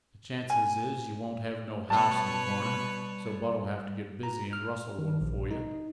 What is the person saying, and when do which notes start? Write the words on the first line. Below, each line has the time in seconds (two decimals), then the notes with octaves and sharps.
The chances is yuh won't have no house in the morning, so Bud'll have to get busy and rustle one for yuh.
0.50 G#5
1.90 B2 G3 B4 C#5 A5
4.23 A#5
4.53 F6
4.99 D#3
5.21 A#1
5.51 D#4